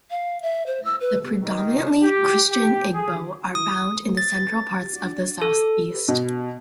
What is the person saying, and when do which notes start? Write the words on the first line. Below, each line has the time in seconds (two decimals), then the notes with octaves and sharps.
The predominantly Christian Igbo are found in the central parts of the southeast.
0.11 F5
0.42 E5
0.67 C5
0.85 E6
1.01 B4
1.43 D#3
2.03 G4
2.50 G4
2.93 G#4
3.55 D#6
4.17 A6
5.42 A4
6.08 B2